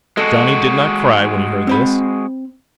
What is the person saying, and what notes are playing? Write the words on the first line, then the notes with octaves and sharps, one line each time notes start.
Johnny did not cry when he heard this.
G#3 F#4 A4 D#5
C4 C5 B5